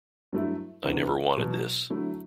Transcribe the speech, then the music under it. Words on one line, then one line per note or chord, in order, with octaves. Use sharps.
'I never wanted this'.
G2 F#3 A3 E4
D2 C3 E3 B3
E2 B2 F#3
D3 F#3 A3 E4